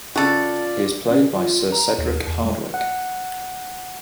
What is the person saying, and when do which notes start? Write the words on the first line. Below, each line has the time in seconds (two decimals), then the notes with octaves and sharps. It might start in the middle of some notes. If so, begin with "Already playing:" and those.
He is played by Sir Cedric Hardwicke.
0.16 C#3 F4 F#4 A4 D5
1.10 C#4
1.36 F4
1.72 A#5
1.98 D#2
2.27 E2
2.45 G#3
2.74 F#5